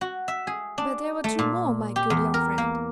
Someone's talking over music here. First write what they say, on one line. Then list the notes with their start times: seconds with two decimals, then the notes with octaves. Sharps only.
"But there were two more, my good young friend!"
0.01 F#4
0.28 E5
0.47 G#4
0.78 D4
1.24 A3
1.39 A#2
1.96 G4
2.10 E2
2.34 A#4
2.58 A#3